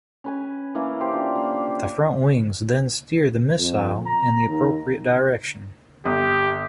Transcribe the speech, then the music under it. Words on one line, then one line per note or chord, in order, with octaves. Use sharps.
The front wings then steer the missile in the appropriate direction.
C#4 B4 G#5
E3 A#3 C#4 E4
G4 C5
D4 F4
A#3
F2
A#5
D#2
G1 G4 D#6